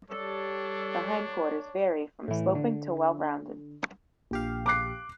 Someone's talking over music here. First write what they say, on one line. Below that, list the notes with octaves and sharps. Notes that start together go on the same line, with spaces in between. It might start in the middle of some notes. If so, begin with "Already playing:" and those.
The hindquarters vary from sloping to well-rounded.
G3 D4 A4 C#5
A2 E3
D3
A#1 G4 F5
D6 F#6 C7